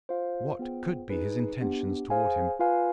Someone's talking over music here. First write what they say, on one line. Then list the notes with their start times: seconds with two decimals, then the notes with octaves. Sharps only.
What could be his intentions towards him?
0.09 F4 C5 F5
0.59 B3 F4 G#4 C5 G5
1.10 D#4 G#4 B4
1.60 B3 D4 G4
2.10 G#4 C5 F5 G#5
2.60 F4 B4 F5 G#5